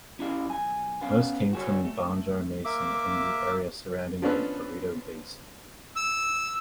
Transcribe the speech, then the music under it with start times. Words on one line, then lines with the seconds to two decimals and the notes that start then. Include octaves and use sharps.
Most came from Banjarmasin in the area surrounding the Barito basin.
0.19 C#4 E4 G4 F5
0.47 B1 G#5
1.01 B3 C#4 F5
1.53 F#4 G#4 C#5
1.85 A3
2.65 A#3 E5 D6
4.22 F3 B3 C#4 D4 A4 B4
5.96 E6